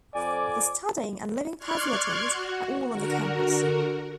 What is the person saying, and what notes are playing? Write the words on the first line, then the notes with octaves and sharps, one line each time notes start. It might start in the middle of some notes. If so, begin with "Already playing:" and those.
The studying and living facilities are all on the campus.
F2 D5 G#5 D6
D5 C6 C#6 F6 F#6 G#6
F#4
D3 F#4 A#4